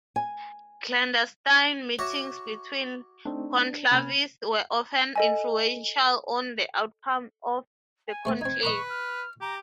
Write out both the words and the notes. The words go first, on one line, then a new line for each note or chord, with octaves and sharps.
Clandestine meetings between conclavists were often influential on the outcome of the conclave.
G#5
F#4 C#5 E5 D6 A#6 E7
A3 C4 D4 D#4
C3 A#3 C#4 B5 F6 G#6
A4 D#5 G#5
G#5
A3 C5 A5
C4 D#4 G#6
B4 D#5 A#5 C#6 D6
F6
G4 A#5